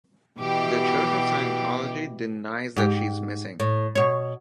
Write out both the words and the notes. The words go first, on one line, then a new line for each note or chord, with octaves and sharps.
The Church of Scientology denies that she is missing.
B2 E3 G4
G#2 G4
A2
B2 C#5